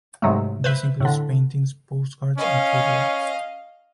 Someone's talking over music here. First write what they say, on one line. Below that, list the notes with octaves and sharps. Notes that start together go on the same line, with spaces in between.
This includes paintings, postcards and photographs.
G#2 C3 F#3 G#3 A3
B4 C5 E5
A2 D3
C#4 D#5 F5